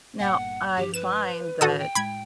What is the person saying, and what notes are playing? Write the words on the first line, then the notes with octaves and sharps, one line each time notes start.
now, I find that
G1 A#2 F#5
G2 F3 G4
B4 E7
A2 D#3 F#4 A4 D#6
G5
A2 G#3 B5 G#6